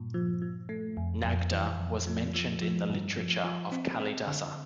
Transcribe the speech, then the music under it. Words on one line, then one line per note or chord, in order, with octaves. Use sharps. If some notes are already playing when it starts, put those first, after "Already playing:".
Nagda was mentioned in the literature of Kalidasa.
Already playing: G2 A#2
F3
F3
A3
F2
F2
E3
F2
F3
F3
F3
G2
F3
F3
C4
C4
D3